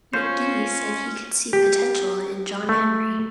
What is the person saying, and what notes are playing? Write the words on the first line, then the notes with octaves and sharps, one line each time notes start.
McGee said he could see potential in John Henry.
C#4 F4 C5 C#5 G6
G4
A3